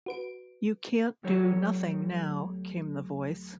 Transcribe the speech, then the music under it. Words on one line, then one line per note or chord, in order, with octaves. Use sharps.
"You can't do nothing now," came the voice.
F#4 B4 D7
D2 F#3 G4 C#5